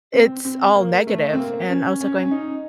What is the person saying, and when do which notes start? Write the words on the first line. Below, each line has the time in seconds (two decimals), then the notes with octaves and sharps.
it's all negative. And I was, like, going,
0.13 C4
0.45 C4
0.75 A#3
1.07 A3
1.33 C4
1.38 A#3
1.69 C#4
2.01 C#4
2.23 C#4
2.31 D#4